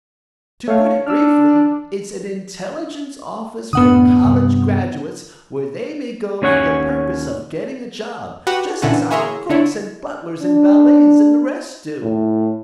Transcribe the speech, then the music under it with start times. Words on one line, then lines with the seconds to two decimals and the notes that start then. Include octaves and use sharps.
To put it briefly, it's an Intelligence Office for College graduates where they may go for the purpose of getting a job, just as our cooks, and butlers and valets and the rest do.
0.68 A3 C#5 F5
1.07 D4 E6 F6
3.73 F#2 A2 D3 B3 F#5 D#6
4.24 G2 C3
6.42 D#2 C#4 C#5 F#5 G#5
8.47 F#4 G4 B4 F#5
8.82 A#2 D3 E3 C#4 F#4
9.11 E4 G#4 C#5 E5 A#5 C6
9.50 D3 D4 E4 C#5
10.43 D4
12.02 A2